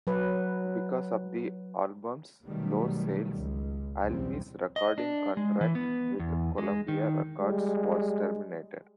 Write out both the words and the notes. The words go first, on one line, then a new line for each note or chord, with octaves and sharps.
Because of the album's low sales, Alvin's recording contract with Columbia Records was terminated.
F#3 B4
B2 D#3 F#3 G3 A3
C#2
B1 E2 C#3 G3 C4
D#5
D4
G#3
E3
B3
E2
G#3
D#3
G3 G#3